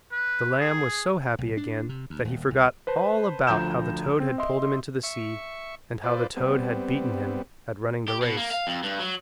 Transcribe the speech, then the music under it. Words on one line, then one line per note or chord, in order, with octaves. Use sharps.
The lamb was so happy again that he forgot all about how the toad had pulled him into the sea, and how the toad had beaten him at running the race.
B4
G#4
B1
D4
C3
D2
D#1
C2
B4 C5 A5
D2 F3 A#5 G6 E7
C4
D#5 E5 C6
E5 C#6
F4 B4 C5 D5
G3 B3 C4
G4
B2
A#3
F5
F2
G2
F#3